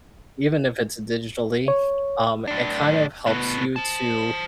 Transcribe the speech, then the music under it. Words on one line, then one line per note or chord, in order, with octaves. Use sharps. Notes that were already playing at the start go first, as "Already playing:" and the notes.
even if it's digitally, um, it kind of helps you to,
C#5
A2 D4
A2 B3
C5 A5